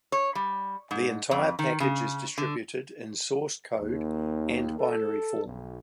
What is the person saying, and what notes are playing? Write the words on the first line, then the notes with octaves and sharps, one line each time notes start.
The entire package is distributed in source code and binary form.
C#5
G3
G#2
F2
D#3
C#3
D3
D#2
A4
B1